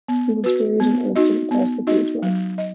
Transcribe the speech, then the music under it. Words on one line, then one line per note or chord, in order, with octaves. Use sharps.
He was buried in Old Saint Paul's Cathedral.
B3
F#4 B4
B3
D#4 F#4 D#5
B3
D#4 F#4 D#5
F#3
D#5